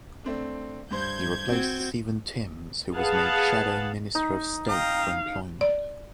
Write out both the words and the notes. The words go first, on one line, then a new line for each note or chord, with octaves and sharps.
He replaced Stephen Timms, who was made Shadow Minister of State for Employment.
A3 C4 D4
G2 C5 G6 G#6
C4 F#4
G#4 B4 F5 F#5 A5
D#4
F5 G5 A#5 D#6
D5